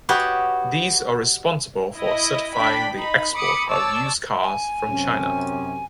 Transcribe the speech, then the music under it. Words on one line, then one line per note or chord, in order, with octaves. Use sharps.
These are responsible for certifying the export of used cars from China.
F#4 G4 B4 C#5 D#5
E4 D#5
D4 G5 B5 B6
D#4 B5
B5 D6 D#6 C#7
C#5 D5 A5 E6
G#5
F#2 C3 C#4